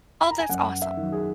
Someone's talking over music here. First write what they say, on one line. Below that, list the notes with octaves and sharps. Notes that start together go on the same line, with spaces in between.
Oh, that's awesome.
B5
A#5
G#5
F#2 F#5
E5
D#3 F#3
G#4